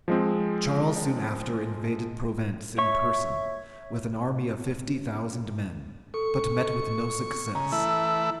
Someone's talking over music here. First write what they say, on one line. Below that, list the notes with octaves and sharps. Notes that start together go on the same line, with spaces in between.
Charles soon after invaded Provence in person, with an army of fifty thousand men; but met with no success.
F3 G#3 C4
C#5 E5 C#6
A4 C#6
C#3 A#5
E3 A3 E4